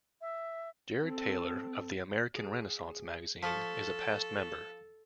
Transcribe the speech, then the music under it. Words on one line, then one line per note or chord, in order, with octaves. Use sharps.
Jared Taylor, of the "American Renaissance" magazine, is a past member.
E5
C4 A4
G#4
F3 A4 C#6 F6 B6